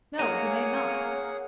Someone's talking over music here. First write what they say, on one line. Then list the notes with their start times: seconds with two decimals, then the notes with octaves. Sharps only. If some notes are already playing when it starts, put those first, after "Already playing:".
"No; you may not."
0.19 A#3 G#4 C#5 F#5 G#5 A#5